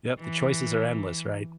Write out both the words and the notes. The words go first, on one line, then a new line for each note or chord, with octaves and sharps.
Yep. The choices are endless, right?
E3